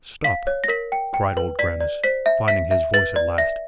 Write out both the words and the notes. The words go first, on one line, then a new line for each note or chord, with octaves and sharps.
"Stop," cried Old Grannis, finding his voice at last.
F5 B6
C#5
A#6
A#4 B6
G5
G5
B4
D5 B6
D5
C5 B6
E5
E5 B6
E5
B4 A6
D5
E5 A#6